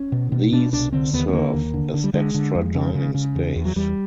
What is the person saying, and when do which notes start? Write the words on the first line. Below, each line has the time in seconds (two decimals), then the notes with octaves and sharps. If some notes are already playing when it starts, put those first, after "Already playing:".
These serve as extra dining space.
Already playing: C#4
0.12 B2
0.32 B2
0.52 B2 D4
0.73 C2 D4
0.92 D3 C4
1.13 D#2 B3
1.28 B3
1.33 D3 A#3
1.54 D#2
1.74 D3
1.94 D3
2.04 G3
2.14 D3 G#3
2.34 D3
2.55 F2
2.75 C#3
2.94 C#3
3.14 C#3
3.35 E2
3.56 E2
3.65 F#3
3.76 E2 G3